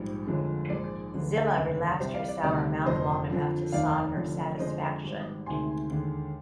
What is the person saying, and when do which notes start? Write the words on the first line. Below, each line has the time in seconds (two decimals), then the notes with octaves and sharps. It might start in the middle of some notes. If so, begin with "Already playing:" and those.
Zilla relaxed her sour mouth long enough to sigh her satisfaction.
Already playing: A#1 G#2 G3
0.26 G1 F2 D3 G#3
0.69 A#1 G#2 D#3 G#3 D5
1.14 D2 D3 G#3
1.56 F1 D#2 D3 G#3
1.99 C2 C3 G3 C5
2.14 D5 F5
2.28 D5
2.43 D2 C3 D#3 G3 D5
2.86 F1 F2 D3 C5 D#5
3.29 F2 D3 F3
3.72 F1 D#2 D#3 D5 F5
4.16 F1 F2 D3
4.60 F2 D3 G#3 C5 D#5
5.03 G#1 G#2 G3
5.46 D2 C3 D#3 G#3 G#5 C6
5.89 D#2 D3 G#3